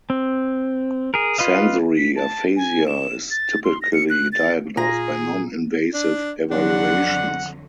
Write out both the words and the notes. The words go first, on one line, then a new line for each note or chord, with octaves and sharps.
Sensory aphasia is typically diagnosed by non-invasive evaluations.
C4
G#4 A#4
F4 B4 D#5 F5
B6
A5
G#5
E7
A6
C6
A#6
C#7
F#6
A6
A#2 F4 G#4 A#5
D4
F2 D3 F#3 D4 F#5